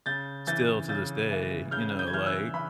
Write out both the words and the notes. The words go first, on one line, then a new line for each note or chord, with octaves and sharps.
still to this day, you know, like,
C#3 G6 A6
E3 G6 A6
C#3 G6 A6
E3
C#3 F6 G6
G6
G#6
E3 F6 G6
E6 F#6
E3 B5